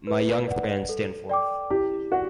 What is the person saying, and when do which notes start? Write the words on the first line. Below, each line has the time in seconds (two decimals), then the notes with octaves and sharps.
My young friend, stand forth!
0.07 B4
0.48 D5 F#5
0.89 A4
1.30 D5 G5 D6
1.70 E4 G4
2.11 F#4 G4 D5 F#5